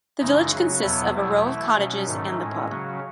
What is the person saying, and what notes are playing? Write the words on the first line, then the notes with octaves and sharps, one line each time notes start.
The village consists of a row of cottages and the pub.
F#2 C#3 E3 G#3 D#4
C#3 F#3 C#4 F#4
E2 B2 F#3 B3 E4
B2 F#3 A3 E4
E3 A3 E4
B2 F#3 C#4
G#2 D#3 A3 C#4
A2 G#3 C#4
C#3 F#3 C#4 F#4